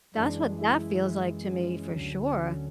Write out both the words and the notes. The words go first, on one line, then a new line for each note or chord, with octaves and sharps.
That's what that feels like, to me, for sure.
F#2 E3 G#3 D4
E4
C#4
D2 D3 F#3
C#4